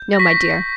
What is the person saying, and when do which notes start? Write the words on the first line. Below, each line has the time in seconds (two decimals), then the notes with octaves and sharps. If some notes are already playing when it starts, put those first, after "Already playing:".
"No, my dear."
Already playing: G6
0.13 A#6
0.19 C#6 B6